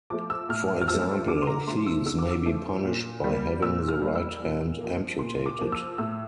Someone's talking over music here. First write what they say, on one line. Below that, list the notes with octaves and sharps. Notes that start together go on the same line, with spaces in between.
For example, thieves may be punished by having the right hand amputated.
F3 A3 D6
E6
A2 F6
F6
F3 E6
A3
D3 D6
C6
A#5
F3 A3 C6
E6
D3 E6
D6
E6
F3 A3
A#2
G3 A#3
A#2 E6
F6
G3 A#3
E6
A#2
F3 A#3
A#2 C6
D6
F3 A#3
E6
A2 E6